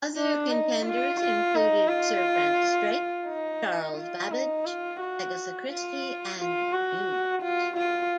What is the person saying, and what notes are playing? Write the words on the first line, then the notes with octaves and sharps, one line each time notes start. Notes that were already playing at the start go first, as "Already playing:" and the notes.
Other contenders included Sir Francis Drake, Charles Babbage, Agatha Christie and Muse.
D4
D#4
F4
F4
D#4
F4
D#4
F4
D#4
F4
F#4
F4
F4
F#4
F4
F4